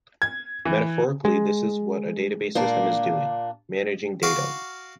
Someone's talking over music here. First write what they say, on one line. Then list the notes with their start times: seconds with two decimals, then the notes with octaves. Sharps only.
Metaphorically this is what a database system is doing - managing data.
0.22 G#6
0.65 E3
1.25 G#3
2.55 A#2 A#3 D4
4.23 F#4 F5 D6